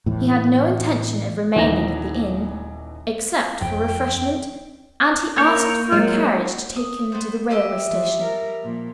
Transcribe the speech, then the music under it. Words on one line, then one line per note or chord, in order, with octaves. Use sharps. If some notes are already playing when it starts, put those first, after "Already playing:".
He had no intention of remaining at the inn, except for refreshment; and he asked for a carriage to take him to the railway station.
A2 E3
D#1 E3 D#4 A#5 A#6
F2 G5
A#3 A#4 C#5 G6
F#3 G#3
D#6
B3 C5
G4 D#5 E5
E3 F3
G3 A#4
A#2 F3